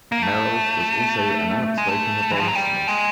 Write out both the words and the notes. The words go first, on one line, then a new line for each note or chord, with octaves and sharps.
Merrill was also an outspoken abolitionist.
A#3
A3
G#3
A3
E3
F3
F#3
G3
G#3